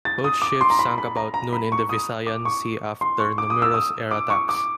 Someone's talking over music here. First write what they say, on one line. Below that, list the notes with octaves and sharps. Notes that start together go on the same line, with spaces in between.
Both ships sank about noon in the Visayan Sea after numerous air attacks.
A6
D#6
D6
C6
A#5
B5
B5
A#5
A#5
B5
C#6
D#6
D6
C#6
C6
C#6
D6
D#6
E6
D#6
D6
C#6
D6